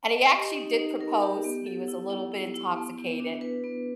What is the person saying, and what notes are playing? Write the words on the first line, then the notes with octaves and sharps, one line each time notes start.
and he actually did propose, he was a little bit intoxicated,
D#5
G4
D#4
D#4
A#4
G4
B3
A4
E4
E4
E4
E4
B3
B3
D4
B4
B3